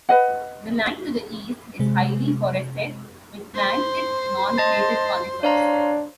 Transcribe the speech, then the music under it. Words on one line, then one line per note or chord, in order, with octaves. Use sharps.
The land to the East is highly forested with planted non-native conifers.
B4 D#5 F#5
C3 G#3
C5
D#5 A5 A6
D4 C#5 F5 A#5